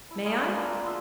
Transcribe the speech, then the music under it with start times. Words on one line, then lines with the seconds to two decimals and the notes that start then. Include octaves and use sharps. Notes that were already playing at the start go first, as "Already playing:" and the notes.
"May I?"
0.10 E4 A5
0.24 G3 G#3 G#4 F5
0.41 E4
0.54 A#3 D4 F4 B4
0.71 B3 C5 E5
0.84 F3 G#3 E5 C6